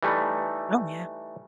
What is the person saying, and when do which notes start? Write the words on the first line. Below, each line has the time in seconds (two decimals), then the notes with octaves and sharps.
Oh, yeah.
0.03 E3 G3 A3 D#4